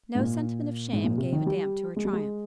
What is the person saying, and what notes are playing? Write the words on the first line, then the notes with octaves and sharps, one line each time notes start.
No sentiment of shame gave a damp to her triumph.
G#2
A#2
G#2
A#2
C3
D#3
G3
G#3
G3
G#3